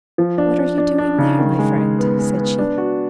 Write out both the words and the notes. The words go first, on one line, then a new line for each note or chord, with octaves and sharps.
"What are you doing there, my friend?" said she.
F3
D4
D4
D4
D4
C#3
D#3
G#3
G#3
B3
G#3
B3
D4
F#4